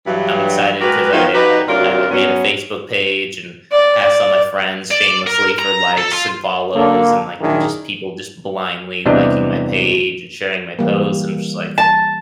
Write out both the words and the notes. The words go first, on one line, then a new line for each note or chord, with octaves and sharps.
I'm excited 'cause I, uh, I, like, made a Facebook page, and asked all my friends shamelessly for likes and follows, and, like, just people just blindly liking my page and sharing my post, and I'm just like
G2 E3 F#3
G#3 F#4 G4 A#4 B4
D#3 F3 B3 D#4 F4 B4
D#4 F#4 G4 B4
D2 C3 F#3 F4 A#4 D5
F#3 B3 C#4
D5
D5
D5
A#4
A#5
A4
F4
D3 A#3 A4
A#1 F#2 D#3 D4 E4 G#4
E2 C3 E3 G3 D4 D#5
E3 G3 A#3
A5